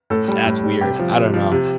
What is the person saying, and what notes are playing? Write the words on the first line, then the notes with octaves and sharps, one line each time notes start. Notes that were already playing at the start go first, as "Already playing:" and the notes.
that's weird. I don't know.
A2 A4
G3
A2
G3
C3 G4
F3
C3
F3
C3